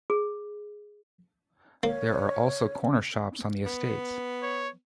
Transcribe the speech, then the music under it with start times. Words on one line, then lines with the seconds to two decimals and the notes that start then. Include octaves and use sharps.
There are also corner shops on the estates.
0.10 G#4
1.83 A#3 C#5
3.66 B3
4.43 C#5